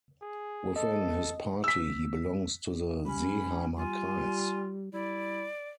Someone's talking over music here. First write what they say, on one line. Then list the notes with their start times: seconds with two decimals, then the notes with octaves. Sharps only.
Within his party, he belongs to the Seeheimer Kreis.
0.22 G#4
0.76 A4 D#5
1.64 E6 B6
3.06 G3 C#4 B5
3.77 G3 F4 G#5
4.93 G3 E4 D5